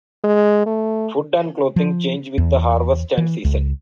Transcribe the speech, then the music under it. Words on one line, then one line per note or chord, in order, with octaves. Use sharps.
Food and clothing change with the harvest and season.
G#3
A3
F3
E2
E3
C#2